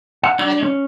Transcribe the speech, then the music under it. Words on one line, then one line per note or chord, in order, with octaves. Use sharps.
I don't
F#5
D4
C#4